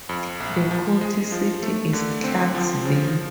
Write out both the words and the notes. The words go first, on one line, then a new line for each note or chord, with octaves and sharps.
The county seat is Clarkesville.
F2
A#1
F3
G#3
F3
A3
D3
C4
F3
C#3